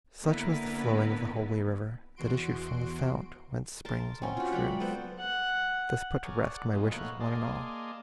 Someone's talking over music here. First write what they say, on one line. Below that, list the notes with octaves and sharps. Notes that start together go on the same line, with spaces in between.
Such was the flowing of the holy river That issued from the fount whence springs all truth; This put to rest my wishes one and all.
D3 A#3 B3 E4 A#4 B4
E2 F#4 C6 D7
A#4 A5 C6
C4 C#4 F#5
F4 F#4
F#3 G#3 A#4 D5 G5 B5
B3 A4 C5
F#5
G#4 A#4 C#5 D5
D5 F#5
G#2 B2 F3 G#3
A3 A#3 D#4 B4 C#5 F#5
A#3 G#4 D5 D#5 A5 C6